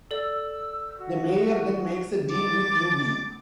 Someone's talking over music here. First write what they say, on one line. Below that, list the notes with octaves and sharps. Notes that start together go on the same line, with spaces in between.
The mayor then makes a deal with Eubie.
A4 D5 E6
F#4
D6 A6